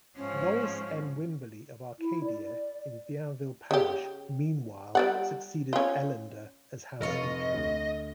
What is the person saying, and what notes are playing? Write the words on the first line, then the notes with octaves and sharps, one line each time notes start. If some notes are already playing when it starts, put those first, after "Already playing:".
Lorris M. Wimberly of Arcadia in Bienville Parish, meanwhile, succeeded Ellender as House Speaker.
G#2 F3 C#4
E4
D5
C#3 G4
G3 D5 F#5
C#4 F4
F1 F4 C#5 D#5 F5
D2